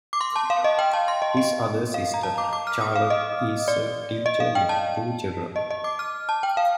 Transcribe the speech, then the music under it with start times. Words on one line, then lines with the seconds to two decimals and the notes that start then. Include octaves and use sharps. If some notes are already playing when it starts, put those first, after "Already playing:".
His other sister, Charlotte, is a teacher with two children.
0.13 D6
0.21 C6
0.36 A5
0.50 F5
0.64 D#5
0.79 G5
0.93 A5
1.08 C6
1.22 D#5
1.37 D#5
1.94 F5
2.14 A#5
2.23 A5
2.38 D6
2.53 D6
2.67 F6
2.81 D#6
2.95 F5
3.10 D#5
3.68 D5
4.26 D#5
4.40 F5
4.55 G5
4.69 A5
5.56 D#5
5.71 D#5
5.84 D6
5.99 F6
6.29 A5
6.43 G5
6.57 F5